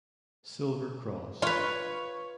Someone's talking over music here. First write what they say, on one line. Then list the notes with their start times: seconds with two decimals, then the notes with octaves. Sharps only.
Silver cross.
1.42 F4 B4 C#5